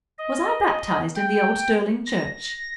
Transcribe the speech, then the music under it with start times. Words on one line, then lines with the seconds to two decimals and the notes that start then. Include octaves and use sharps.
Was I baptized in the old Sterling church?
0.18 D#5
1.16 G5
2.06 A#6